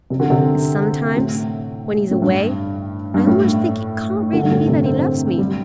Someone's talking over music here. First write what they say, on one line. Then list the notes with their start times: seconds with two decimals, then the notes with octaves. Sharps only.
And sometimes, when he is away, I almost think it can't really be that he loves me.
0.10 C3
0.20 D3
0.30 C3
1.16 A2
2.11 A2
2.22 G2
3.14 G2
3.27 A2
4.33 D3
4.43 G2
4.51 A2
4.68 C3
4.86 C4
5.38 G3